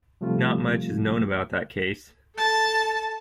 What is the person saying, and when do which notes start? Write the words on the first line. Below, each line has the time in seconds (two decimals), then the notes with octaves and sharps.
Not much is known about that case.
0.21 C3 F3 G3 A3 C4 F4
2.35 A4 A5